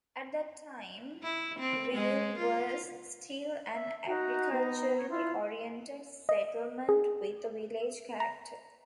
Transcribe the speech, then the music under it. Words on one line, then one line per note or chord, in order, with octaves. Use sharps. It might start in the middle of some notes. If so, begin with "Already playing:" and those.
At that time, Wiehl was still an agriculturally oriented settlement with a village character.
E4
C4
G#3
F4
E5
D#4 F#4
B3
C#5
E4 F4
D#5
G#4
A#5